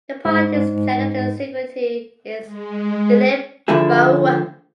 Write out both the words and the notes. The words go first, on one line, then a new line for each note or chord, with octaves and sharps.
The party's general secretary is Dilip Barua.
G#2
G#3
D3 F3 A3 E4 G#4